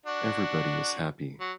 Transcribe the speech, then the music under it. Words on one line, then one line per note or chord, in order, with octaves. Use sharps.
Everybody is happy.
D4 F#4
F#3